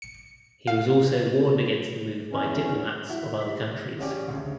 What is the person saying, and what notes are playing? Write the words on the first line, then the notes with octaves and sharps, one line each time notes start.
He was also warned against the move by diplomats of other countries.
C#7
F5
E2 C#4
E4 F#4
B6
A1 C#4 G4 D5
D2 C#3